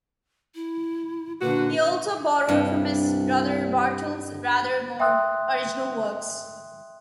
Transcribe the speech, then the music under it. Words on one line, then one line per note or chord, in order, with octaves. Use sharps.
He also borrowed from his brother Barthel's rather more original works.
E4
A#2 D3 F#4 B4
C2 G2
E5 G5 C6 D#6 E6 F#6